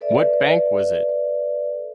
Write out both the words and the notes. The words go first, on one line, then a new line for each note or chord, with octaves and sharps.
What bank was it?
A4 B4 D5 E5